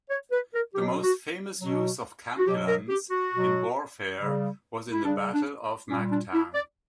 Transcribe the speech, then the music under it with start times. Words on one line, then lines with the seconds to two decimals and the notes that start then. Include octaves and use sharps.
The most famous use of kampilans in warfare was in the Battle of Mactan.
0.10 C#5
0.32 B4
0.54 A#4
0.75 B2 F#3 G4
1.03 F#4
1.60 B2 F#3
2.38 F#4
2.46 B2 F#3 G4
2.68 A#4
2.89 G4
3.11 F#4
3.32 B2 F#3
4.18 C#3 G3
4.92 E4
5.03 C#3 G3 D4
5.33 D4
5.90 A#2 G3 C#4
6.11 D4
6.33 E4
6.54 D5